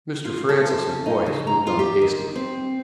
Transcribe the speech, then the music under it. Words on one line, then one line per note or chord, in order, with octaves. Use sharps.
Mr. Francis's voice moved on hastily.
F4
A4
C3
C#3
D#4
C#3
A#5
F4
G4
D#3
C4